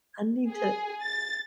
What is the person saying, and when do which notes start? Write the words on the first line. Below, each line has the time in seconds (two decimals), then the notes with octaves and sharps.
I need to
0.50 G#4
1.04 A6